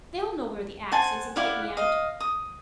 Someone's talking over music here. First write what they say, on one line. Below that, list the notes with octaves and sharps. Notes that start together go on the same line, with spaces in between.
They'll know where the axe is and get me out.
C5 F#5 G#5 A5
E4 D5 F5 F#5
D#5 F5
D#6